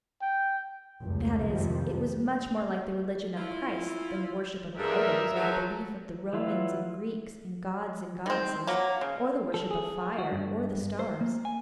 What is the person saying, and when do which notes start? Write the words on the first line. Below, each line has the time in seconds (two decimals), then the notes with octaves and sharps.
That is, it was much more like the religion of Christ than the worship of idols or the belief of the Romans and Greeks in gods and goddesses, or the worship of fire or the stars.
0.21 G5
1.01 F1 C#2
1.48 C2 F2 C3 D#3 F3 G3
3.36 E4 F4
4.77 G2 G#4 A#4 E5
5.35 F3 F#3
6.33 E3 F#3 E4 F4
8.26 D#3 C4
8.67 F#3 A#3
9.01 C#3
9.54 A4
9.71 G#4
10.19 F#4
10.31 G2
10.99 C5
11.21 A#3
11.45 G#5